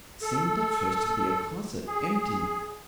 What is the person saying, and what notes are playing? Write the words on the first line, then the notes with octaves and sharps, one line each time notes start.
It seemed at first to be a closet, empty.
A4
G#4